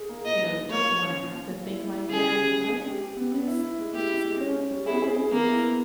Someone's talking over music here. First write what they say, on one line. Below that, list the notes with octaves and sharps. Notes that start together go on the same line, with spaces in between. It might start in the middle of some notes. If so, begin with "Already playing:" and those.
you know, you don't wanna have to think like that, but it's just it's just kinda how it is.
Already playing: G#4
A#3
A#2 D#5
D#4
D#4
A#2 C#5
A#2
C#4
A#2
A#2
A#2
E4
E4
E4
C#3 G#4
G3
C#3
G#3
G#3
G4
G4
B3
B3
E4
E4
G#3
E4 G4
E4
G#3
C#4
C#4
G3
E4 G#4
G#4
G#4
A#3 B3
E4
B3